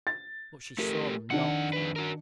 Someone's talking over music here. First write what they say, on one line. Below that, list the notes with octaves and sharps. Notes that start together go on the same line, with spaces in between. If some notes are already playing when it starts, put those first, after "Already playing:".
But she saw them not.
A6
A3 G4 A4 A#4
F2 D#3 D4 F#5 C#7
F2 B4
F#4 A#4